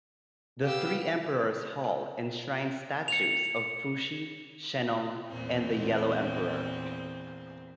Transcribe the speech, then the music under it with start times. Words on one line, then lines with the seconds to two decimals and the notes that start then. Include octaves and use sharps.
The Three Emperors Hall enshrines statues of Fuxi, Shennong, and the Yellow Emperor.
0.64 B3 G4 F5 E6
3.08 C#7 F7
5.30 E2 A#2 C4